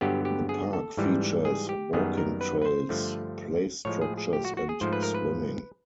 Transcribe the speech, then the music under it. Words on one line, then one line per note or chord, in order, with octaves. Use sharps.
The park features walking trails, play structures and swimming.
G2 D3 F#3 B3 G4
G4
G#4
A4
G#2 E3 G3
G#4
G4
F#2 D#3 G3 B3 G#4
A#4
B4
B4
C5
G2 D3 F3 A3
A2 F3 G#3 C#5
G#4
G#4
G4
F#4
F#4
G#4
G#2 F3 A3 C5
B4
A#4
B4